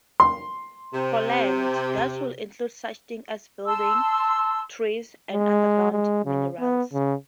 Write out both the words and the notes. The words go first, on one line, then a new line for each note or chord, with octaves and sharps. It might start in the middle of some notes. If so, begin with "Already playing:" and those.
For land, that would include such things as buildings, trees, and underground minerals.
C6
C3
A5 C6 E6
G#3
G#3
C#3
B3
C#3